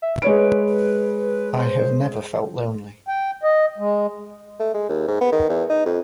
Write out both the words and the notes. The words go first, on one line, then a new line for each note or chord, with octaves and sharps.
I have never felt lonely.
E5
G#3 B4 C#5 D7
C5
G5
D#5
G#3
A3
G#3
D#2
G#2
B3
D#3
E2
D#4
F2